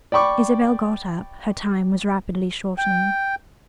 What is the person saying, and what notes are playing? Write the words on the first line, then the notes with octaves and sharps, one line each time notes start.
Isabel got up; her time was rapidly shortening.
D5 G5 B5 C#6 D6
G5